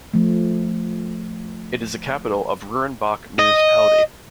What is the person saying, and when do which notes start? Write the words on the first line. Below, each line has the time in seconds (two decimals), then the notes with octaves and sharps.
It is the capital of Rurrenabaque Municipality.
0.14 F3 A3
3.39 D#5